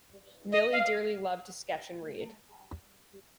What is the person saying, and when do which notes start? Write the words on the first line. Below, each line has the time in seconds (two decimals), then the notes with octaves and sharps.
Millie dearly loved to sketch and read.
0.52 D#5
0.73 F5